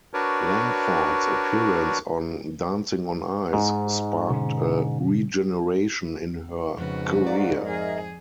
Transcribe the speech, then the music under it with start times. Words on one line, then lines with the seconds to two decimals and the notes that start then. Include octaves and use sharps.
Langford's appearance on "Dancing on Ice" sparked a regeneration in her career.
0.14 D4 F#4 A#4 B4 C#5 D5
3.53 G#2
4.30 B2 D3 C#4
6.77 F2 G#2 C#3 F#4 B4
7.27 D5 F5 F#5 A#5
7.62 F2 G#4 A#4 D#5 E5